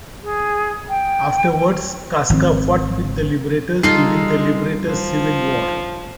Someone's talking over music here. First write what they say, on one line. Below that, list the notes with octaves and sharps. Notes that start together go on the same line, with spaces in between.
Afterwards, Casca fought with the liberators during the Liberators' civil war.
G#4
G5
G#1 D#3 F3 C4
G3 G#3 D#4 F4 A4 C7
F3